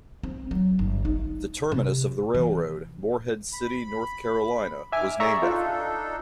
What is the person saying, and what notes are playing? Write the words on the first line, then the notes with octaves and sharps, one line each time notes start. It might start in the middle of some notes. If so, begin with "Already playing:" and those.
The terminus of the railroad, Morehead City, North Carolina, was named after him.
C4
F#3
G1
D#4
C3
E3
B5
D#3 E5 G#5 D6 F6
G#4 D5 E5 A#5 C#6 E6
D4 D#4 F4 A4